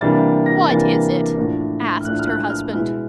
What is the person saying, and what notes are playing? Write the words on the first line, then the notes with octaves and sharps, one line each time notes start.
"What is it?" asked her husband.
C3 E3 G3 A#3 D4 A6
A#6
C3 E3 G3 A#3 D4 A6
A2 F3 A3 D4
F6
A2 F3 A3 D4 F#6
F6
F#6
F6
B2 G#3 B3 E4 F6